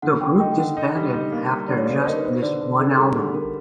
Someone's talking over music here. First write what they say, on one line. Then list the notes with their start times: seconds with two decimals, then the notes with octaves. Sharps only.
The group disbanded after just this one album.
0.02 D3 F#5
0.21 D3 G5
0.39 D#4 G5
0.52 G5
0.58 D3 F#5
0.77 D#4
0.96 G3
1.13 D#4
1.32 A#3
1.50 G3
1.68 D3 D5
1.77 C#5
1.85 A#3 D5
1.97 C5
2.06 D#4 A#4
2.17 B4
2.24 B3 C5
2.42 D3 D5
2.61 D3
2.79 D3 G#4
2.90 A4
2.97 G3 G#4
3.15 D3 A4
3.34 D3 A#4